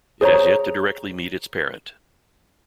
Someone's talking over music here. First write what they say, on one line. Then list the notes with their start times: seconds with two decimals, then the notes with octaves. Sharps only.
It has yet to directly meet its parent.
0.21 G#4 C5 C#5 A#5